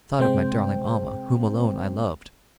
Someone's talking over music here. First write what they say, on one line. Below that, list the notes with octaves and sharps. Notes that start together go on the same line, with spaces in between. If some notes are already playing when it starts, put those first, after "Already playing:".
I thought of my darling Almah, whom alone I loved.
C3 G#3 C4 C5 G5